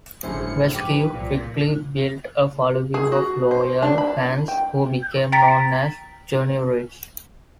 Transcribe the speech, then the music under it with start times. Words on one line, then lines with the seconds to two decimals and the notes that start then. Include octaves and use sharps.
Vasquez quickly built a following of loyal fans who became known as "Juniorites".
0.23 G#1 F#2 A2 D3 G#4 C5 C#7
0.74 F3 G4 B4 D6 D#7
1.11 C2 A#2
2.94 G#4
3.12 F#4
3.51 C5
3.82 D4
3.98 B5
4.48 G5
5.32 G5 A#5 A6 B6